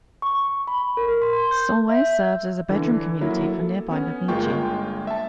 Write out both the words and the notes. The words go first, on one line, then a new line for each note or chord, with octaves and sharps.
Solway serves as a bedroom community for nearby Bemidji.
C#6
B5
A#4
C6
G6
E5
D3 E3
F#3 A#3 E4
A4
B3 C#4
G1 G#3 A#3 F4 G5 C#6
E5 A5